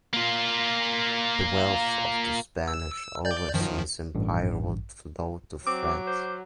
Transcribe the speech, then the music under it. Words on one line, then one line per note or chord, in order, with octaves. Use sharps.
The wealth of the Spanish overseas empire would flow to France.
A#3 F4
E6
D5 G6
F#2 D#3 F3
A1 G2
F#3 C4 D6
C5